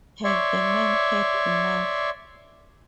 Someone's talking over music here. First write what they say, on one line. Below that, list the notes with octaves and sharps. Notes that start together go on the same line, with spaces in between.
Have The Men Had Enough?
C#5 D5 E5 C6 C#6